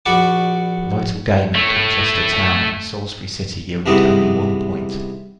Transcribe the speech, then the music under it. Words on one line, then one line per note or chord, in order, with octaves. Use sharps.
Vital game at Dorchester Town and Salisbury City yielded only one point.
A#1 F#4 D5 B5 C#6 D6
A3 C#5
C3 E3 G3 G#3 B3 D#4